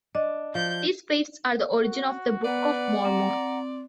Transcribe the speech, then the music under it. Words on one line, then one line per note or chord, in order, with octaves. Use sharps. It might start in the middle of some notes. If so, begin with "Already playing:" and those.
These plates are the origin of the Book of Mormon.
D4 D#5
F3 G6
F#4
B3 B4 D5 F#5 A#5
C4 A#5